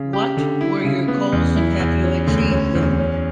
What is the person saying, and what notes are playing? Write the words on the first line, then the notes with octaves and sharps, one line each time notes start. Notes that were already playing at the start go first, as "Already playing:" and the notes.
What were your goals, and have you achieved them?
Already playing: C#3
G4
D3
E4
C#3
B3
E2
E4
E2
C#4
D2
C#4
E2
C#4